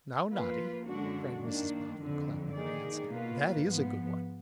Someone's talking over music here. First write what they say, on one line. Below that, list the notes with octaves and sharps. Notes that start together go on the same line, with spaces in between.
Now, Noddy!' cried Mrs Boffin, clapping her hands, 'That IS a good one!'
F3 A#3 F4 B4
F#2 D3 G#3 D4 F#4
D#3 A#3 D4
F2 D3 F3
D#3 A#3 D#4 G#4 D5
B2 A#3 F4 B4
G#2 F3 B3